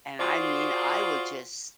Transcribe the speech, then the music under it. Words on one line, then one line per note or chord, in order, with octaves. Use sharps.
and I mean, I would just
F4 F#4 G#4 C5 D5